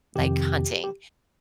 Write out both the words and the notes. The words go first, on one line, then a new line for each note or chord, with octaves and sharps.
like, hunting,
F2 C3 D#3 G4
G4